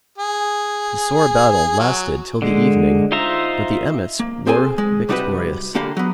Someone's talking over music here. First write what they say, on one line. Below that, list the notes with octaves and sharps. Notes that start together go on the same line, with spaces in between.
The sore battle lasted till the evening but the emmets were victorious.
G#4
F#3
D3 G#3
D#4 F4 C5 E5 A#5
A#3
C4 G#4 A4 C5 G#5
G#3
C3 G3 D#4 F#4 G4 B4
D3 A#3 G4 F5 B5
F#3 B3